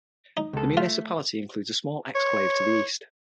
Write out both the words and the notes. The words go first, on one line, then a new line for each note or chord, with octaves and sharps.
The municipality includes a small exclave to the east.
D#4
C#2 A4
A3 F4 F5
C#5